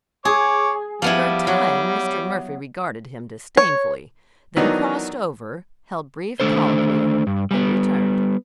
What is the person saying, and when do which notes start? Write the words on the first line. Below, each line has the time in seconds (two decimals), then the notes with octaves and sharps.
For a time Mr. Murphy regarded him disdainfully, then crossed over, held brief colloquy, and returned.
0.25 G#4 C#5 D6
1.02 F3 G3 B3 E4
1.47 F#3
3.57 C#5
4.56 D#3 E3 F#3 B3 D4 D#4
6.40 D#3 F3 A3 D4 A4 C5
7.27 G2
7.51 G3 B3